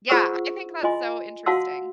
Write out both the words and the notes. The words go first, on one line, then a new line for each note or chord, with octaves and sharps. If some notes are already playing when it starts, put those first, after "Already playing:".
yeah, I think that's so interesting.
F4 G#4 C5 F#5 C#6 E6
F4 D#5 G#5 C6
F#4 F5 F#5 A5 C6 E6